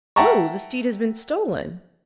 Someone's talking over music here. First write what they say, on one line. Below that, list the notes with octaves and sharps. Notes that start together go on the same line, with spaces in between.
"Oh, the steed has been stolen?"
E5 F#5 G5 A5 A#5 C#6